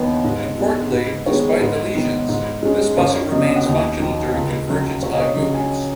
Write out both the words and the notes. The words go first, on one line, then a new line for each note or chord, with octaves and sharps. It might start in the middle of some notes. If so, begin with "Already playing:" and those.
Importantly, despite the lesions, this muscle remains functional during convergence eye movements.
Already playing: D#2 D#3 B3 B4 C#5
G#2
G#3 B3
G#2 B4
D#3 G#3 B3 C#5
G#2 B4
D#3 B3
G#2
G#3 C#4
F#2 C#5
C#3 F#3 B3 D#5
F#5
D#2 D#5
D#3 F#3
C#2
C#3 F#3
C#2 C#5
D#5
C#5
C#3 F#3
G#5